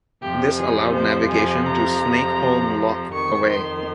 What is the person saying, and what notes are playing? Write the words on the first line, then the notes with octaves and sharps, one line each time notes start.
This allowed navigation to Snakeholme Lock, away.
F2 C3 F3 G4
G#4
C5
G#5
A#5
F2 D#3 C#6
C6